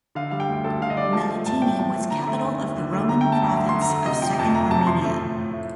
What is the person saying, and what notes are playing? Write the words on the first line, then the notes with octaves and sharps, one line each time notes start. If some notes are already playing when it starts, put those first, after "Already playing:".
Melitene was capital of the Roman Province of Second Armenia.
D3 F5
G3 F5
G5
D2
D2 A4
D3 F5
D#5
G3 D5
F3 A5
A3
A2 A5
A2 G5
F3 A5
A3
D3 A#5
A3
D#2
D#2
D3
A3
D3 A#5
A3 G5
A5
D2 A#5
D2 A#5
D3 C6
A#5
A3
C3 D#5
F3 G5
F2 A5
A3 A#5
C3 A5
F3 C6
A3
A2
A2
A3